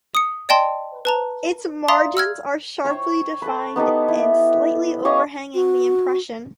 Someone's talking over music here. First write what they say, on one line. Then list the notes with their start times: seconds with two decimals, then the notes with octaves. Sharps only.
Its margins are sharply defined and slightly overhanging the impression.
0.15 D#6 C#7
0.49 D5 D#5 G5 A5 C6
1.05 B4 A5 A#5
1.88 D5 E5 F5 A#5 C6 D#6
2.17 E6 F6 G#6
2.84 C5 C#5 G5
3.42 A4 B4
3.76 B3 D#4 G4 A4
4.08 E4
5.05 G4 C#5 D#5 F5
5.55 F#4